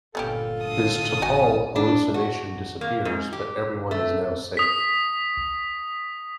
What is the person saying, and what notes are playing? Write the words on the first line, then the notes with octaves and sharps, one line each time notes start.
His T'Pol hallucination disappears, but everyone is now safe.
G1 A#2 B3 C#4 F4 G4 A4
A2 D3 A5 D#6
A1 C#4 F#4 F#5 G#5
D4
F#4
A#3
G#2
G4
A3
D#6 B6